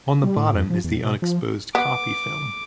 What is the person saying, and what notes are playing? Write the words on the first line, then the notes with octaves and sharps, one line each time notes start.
On the bottom is the unexposed copy film.
G3
A2
F2
F3
E2
B2
F3
B3 D6